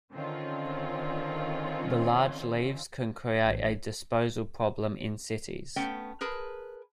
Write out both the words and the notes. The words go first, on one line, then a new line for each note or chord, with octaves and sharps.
The large leaves can create a disposal problem in cities.
D3 D#3 C4 C#4 F4
A1
A3 B3 C#4 G5
G#4 A#4 B4 A5